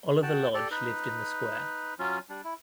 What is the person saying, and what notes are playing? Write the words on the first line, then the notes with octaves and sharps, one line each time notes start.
Oliver Lodge lived in the square.
F#4 G5 A5
G4 A4 D5
D#4 B4
F#3 C#4 F4
G3 D4
E4